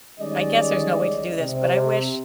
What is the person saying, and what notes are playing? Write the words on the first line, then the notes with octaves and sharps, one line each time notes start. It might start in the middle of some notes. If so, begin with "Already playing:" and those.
I guess there's no way to do this, but I wish
D#3 G3 G#3 C#4 D5 D#5
C3